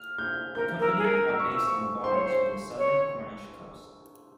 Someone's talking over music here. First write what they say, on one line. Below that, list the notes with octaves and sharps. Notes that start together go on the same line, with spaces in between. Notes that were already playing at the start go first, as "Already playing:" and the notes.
The company are based in barns on the southern Cornish coast.
Already playing: F6
G6
A#4 G6
A#4 E6
F6
G#4
A#4
E6
C#6
E6
C#6
C5 C6
C#5
C5
C#5